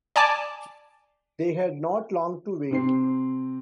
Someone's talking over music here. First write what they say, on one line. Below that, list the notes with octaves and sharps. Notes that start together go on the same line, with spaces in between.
They had not long to wait.
D5 G#5 A5 D6
C3 C4 C7